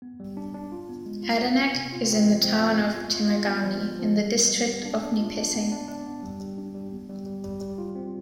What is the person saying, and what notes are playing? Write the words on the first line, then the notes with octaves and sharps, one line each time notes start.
Adanac is in the Town of Temagami, in the District of Nipissing.
B3
G3
D4
D4
F4
B3
G#3
F4
B3
B3
C3
F4
C4
F3
C4
F4
B3
F4
F4
F4
B3
F3
B3
F3
G3
B3
G3
B3
D4
D4
F4
D4
B3
D4
D4
B3
G3
G3
D4
G3
B3
G3
G3
G3
G3
F4
C4